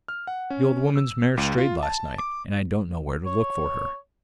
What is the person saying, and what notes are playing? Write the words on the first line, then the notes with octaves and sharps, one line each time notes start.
'The old woman's mare strayed last night, and I don't know where to look for her.'
F6
F#5
C#4
E6
C#2
F4
A5
D6
C#5